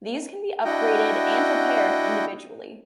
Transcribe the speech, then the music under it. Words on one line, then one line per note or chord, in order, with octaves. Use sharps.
These can be upgraded and repaired individually.
D4 E4 F#4 D#5 F#5 G5